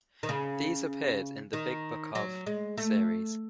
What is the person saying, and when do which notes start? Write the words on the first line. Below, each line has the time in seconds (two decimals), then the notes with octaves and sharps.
These appeared in the Big Book Of... series.
0.23 D#3
0.29 C#3
1.53 D#3
2.15 F#3
2.46 G#3
2.77 A3